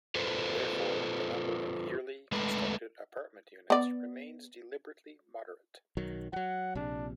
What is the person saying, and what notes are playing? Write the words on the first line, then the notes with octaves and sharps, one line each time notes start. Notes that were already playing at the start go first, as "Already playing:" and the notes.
Therefore the number of yearly constructed apartment units remains deliberately moderate.
F4 A4 B4 C5
G#3 A3 B4
B3 D5
B1 D#3 F#3
F3 F#3 F#5
A#1 C3 D4